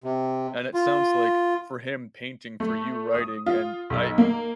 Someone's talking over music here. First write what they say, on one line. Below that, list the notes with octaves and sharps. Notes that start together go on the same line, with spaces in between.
And it sounds, like, for him painting, for you writing, and I, uh,
C3
F4
A3
D#6
F4
B1
A#3